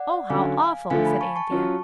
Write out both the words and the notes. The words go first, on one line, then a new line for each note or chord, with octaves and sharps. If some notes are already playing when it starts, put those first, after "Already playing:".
'Oh, how awful!' said Anthea.
Already playing: D5 F#5
D3 F#3 C#4 F5 G#5
D3 F3 A3 F5 G#5
G#5 B5
A5 C#6
A5 C#6
F#3 C#4 F4